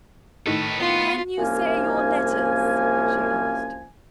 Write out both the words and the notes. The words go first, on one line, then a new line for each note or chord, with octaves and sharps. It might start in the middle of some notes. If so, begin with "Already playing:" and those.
"Can you say your letters?" she asked.
A2 D#3 D#4 A4 B4
B3 F4
C2 F#2 F3 A#3 C#4 G#5